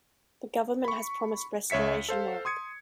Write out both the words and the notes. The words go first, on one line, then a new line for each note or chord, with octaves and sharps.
The government has promised restoration work.
B5 C#6
C#2 C#5 E5 B6 C#7
A4 C5 F5
C6 D#6 G#6 C#7